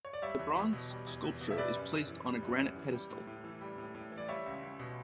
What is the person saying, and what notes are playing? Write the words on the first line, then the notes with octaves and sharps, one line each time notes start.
The bronze scuplpture is placed on an granite pedestal.
C#5
D5
G3 C#5 E5
E2
E2
B2
G3
E2
E2
B2
E5
G3 B4 D5
F#2
F#2
E3
G3
F#2
F#2
E3
G3
A2
A2
E3
G3
A2
A2
E3
D5
G3 C#5 E5
C#2
C#2
B2